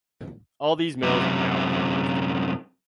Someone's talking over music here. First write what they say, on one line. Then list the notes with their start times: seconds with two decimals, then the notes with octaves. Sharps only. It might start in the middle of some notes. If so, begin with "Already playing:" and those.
All these mills are now closed.
1.03 F#2 C3